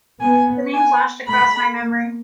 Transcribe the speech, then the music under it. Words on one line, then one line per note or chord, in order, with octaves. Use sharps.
The name flashed across my memory.
B3 G#5
G#5
A3 B5
A#3